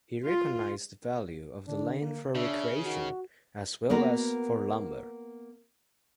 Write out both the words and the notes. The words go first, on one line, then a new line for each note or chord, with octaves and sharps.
He recognized the value of the land for recreation, as well as for lumber.
F4
D3 D4
A#3
C#3 D4 E5
D#3 F#4
A#3 B3 F#4 A#4